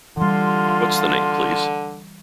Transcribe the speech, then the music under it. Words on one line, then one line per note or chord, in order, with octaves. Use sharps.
What's the name, please?
D3 E3 G3 F4 C6